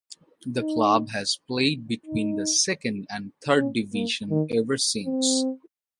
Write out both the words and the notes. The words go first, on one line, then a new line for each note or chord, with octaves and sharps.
The club has played between the Second and Third Division ever since.
D#4
D#4
C#4
A#3
D#3
C4